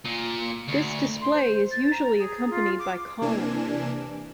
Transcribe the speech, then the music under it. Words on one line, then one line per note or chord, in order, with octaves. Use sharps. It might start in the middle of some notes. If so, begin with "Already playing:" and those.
This display is usually accompanied by calling.
A#2
D2
C6
C5
A6
A#5
G#4
F4
D6
C3 E3 A#3 D4 G#5 E7